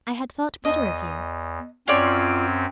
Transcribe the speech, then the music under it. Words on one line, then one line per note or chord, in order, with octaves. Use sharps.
"I had thought better of you."
E2 D#5
F#2 C4 C#4 F4 C#5 D5